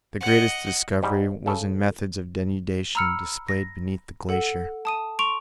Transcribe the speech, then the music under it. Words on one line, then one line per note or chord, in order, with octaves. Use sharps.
The greatest discovery was in methods of denudation displayed beneath the glacier.
D#5 F#5
G#2 G3
C#3 A4
A#5 B5 E6 F6 C#7
A#6
A4 F#5
A5 D#6 D#7
C6 C#6 D7 F7